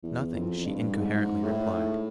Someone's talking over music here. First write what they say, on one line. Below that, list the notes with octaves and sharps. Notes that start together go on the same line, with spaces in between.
'Nothing,' she incoherently replied.
E2
F2
G2
G#2
A2